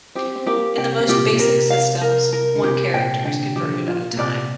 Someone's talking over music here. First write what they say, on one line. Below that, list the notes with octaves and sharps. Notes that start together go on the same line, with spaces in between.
In the most basic systems, one character is converted at a time.
C4 G4
C4
A#3 G4
C3 G5
C3
A#2 G4
A#2
C3 A#4
F5
A#4
A#4
D3
C3 G4
A#2 G5
D3 G5
F3 G4
D3
F3
F4
A#2
C3 D5